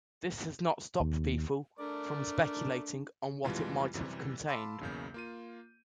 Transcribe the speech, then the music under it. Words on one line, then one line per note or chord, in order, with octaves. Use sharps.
This has not stopped people from speculating on what it might have contained.
D#2
A3 D4 A#4 D5
F2 B2 E3 G3 G#3 F4
F#2 C3 E3 G3
F5 A5 B5 C6 D6 E6
B1 E2 C#3 A#3 G6
A#3 F4 D#7